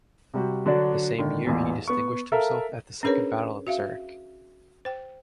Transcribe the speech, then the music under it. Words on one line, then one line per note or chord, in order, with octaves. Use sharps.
The same year he distinguished himself at the Second Battle of Zurich.
C3 G3 F#4
D3 F#3 D4 F#4 D5
G#1 D3 D#3
A1 E2 A#2
B3 C#6
A4 A#4 E5 F5
C#4 D4 G#4 A#4 B4 C#5
F#4 E5 F5
C5 G5